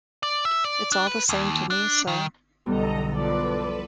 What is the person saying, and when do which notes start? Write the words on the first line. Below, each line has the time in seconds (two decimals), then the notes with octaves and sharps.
It is all the same to me, sir.
0.23 D5
0.45 E5
0.64 D5
0.92 D4
1.07 B4
1.29 D#2
1.70 D4
2.07 D#3
2.66 B1 E2 D3 G3 B3 A4 D#5 A#5
3.15 F3 A4 B4 D5